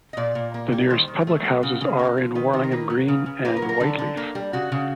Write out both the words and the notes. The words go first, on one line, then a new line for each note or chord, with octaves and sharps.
The nearest public houses are in Warlingham Green and Whyteleafe.
D#5
A#2 D5
A#2
A#3
G3
D#3 C5
D#3
A3
F#3
C#3
C#3
A#3
F3
D#3 B4
D#3 C5
A#4
A#3 B4
F#3
C#3
C#3
A#3 B4
A#4
F#3
A#4
D3 A4
D3
A#3
G3
C#3 F#4
C#3